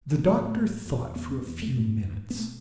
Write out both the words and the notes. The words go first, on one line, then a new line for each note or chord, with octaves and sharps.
The doctor thought for a few minutes.
C4
A2 B3
A3
A2
A3
F2
E2
B3
C4
C4
E2 B3
F2 A3
G2 A3
F2
G2
A2
B3
B2 A3